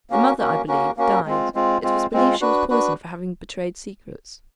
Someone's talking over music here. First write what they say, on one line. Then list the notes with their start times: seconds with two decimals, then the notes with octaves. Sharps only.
The mother, I believe, died--it was believed she was poisoned for having betrayed secrets.
0.10 A#3 C#4 F#4 A#4
0.39 A#3 C#4 F#4 A#4
0.68 A#3 C#4 F#4 A#4
0.97 A#3 C#4 F#4 A#4
1.26 G#3 C4 F4
1.55 G#3 C4 F4
1.83 G#3 C4 F4
2.13 G#3 C4 F4
2.41 D4 F#4 B4
2.70 D4 F#4 B4